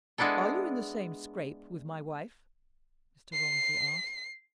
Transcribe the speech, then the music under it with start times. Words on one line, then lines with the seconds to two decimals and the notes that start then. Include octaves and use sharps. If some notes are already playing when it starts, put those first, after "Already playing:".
"Are you in the same scrape with my wife?" Mr. Romsey asked.
0.18 G#3 B3 D4 E4 A4
3.33 C7